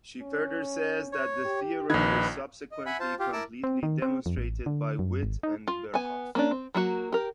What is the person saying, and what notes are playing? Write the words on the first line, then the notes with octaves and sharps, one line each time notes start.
She further says that the theorem was subsequently completely demonstrated by Witt and Birkhoff.
C#4
C#5
G4
A#1 D#3 D#4 B4 G#6
D#5
E5 F#5 G#5 B5
F4 C5 A5
F4 G4
E4 A#4 A5 D6 E6
C4
D#3
C4
F2
A1
D3
F#2
G#1
D#4
F4
B3 G#5
A#3 C#4 D4
C4
F#3 A#3 F#4
G4 A#4